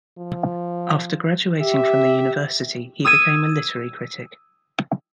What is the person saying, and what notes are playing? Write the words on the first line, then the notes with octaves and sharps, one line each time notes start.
After graduating from the university, he became a literary critic.
F3
G4 E5
D#6 E6 G#6 D#7